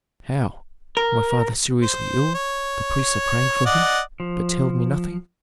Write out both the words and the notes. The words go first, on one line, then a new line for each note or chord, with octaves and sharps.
"How! my father seriously ill, the priests are praying for him, but tell me nothing?"
A#4
C5
C#5
D5 D#5 F#5
F3